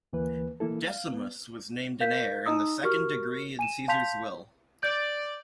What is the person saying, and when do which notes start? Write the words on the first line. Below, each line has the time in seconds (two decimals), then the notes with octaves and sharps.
Decimus was named an heir in the second degree in Caesar's will.
0.13 D2 E3 A#3 B4
0.60 E3 A#3 E4 A4
0.87 F5
1.12 B3
2.00 A#4 F5 G6 B6
2.46 D#4 D#5 A#5 D#6 E6
2.83 F#4 G4 A#4 C#6 F6
3.59 G#5 D#7 E7
3.88 F5 A5 C6 G6 B6 F7
4.83 D5 G6